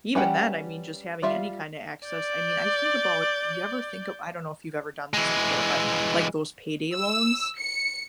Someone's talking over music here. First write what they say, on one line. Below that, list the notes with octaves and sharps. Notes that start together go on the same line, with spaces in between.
even then, I mean, just having any kinda access, I mean, I think about you ever think of I don't know if you've ever done these before, but, like, those payday loans?
G3 C#4 B4 F#5 G5
G3 F4 E5 F5
D5 G6
E3 G#3
E6
C#7